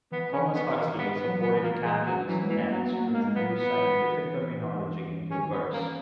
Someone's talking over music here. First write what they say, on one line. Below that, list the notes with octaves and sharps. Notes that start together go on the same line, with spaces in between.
Thomas Huxley supported Canton's attempts to introduce scientific terminology into verse.
E3 B3
C#4
E3 B3
D#3 A#3
E3 B3
B3
F#3
B3
E3
A#3
G#3
E3 F#3
E3 F#3
G#3
E3 A#3
F#3 B3
F#3 A#3
G#3 A#3
F#3 B3
E3 B3
D#3 C#4
E3 B3
A#3 C#4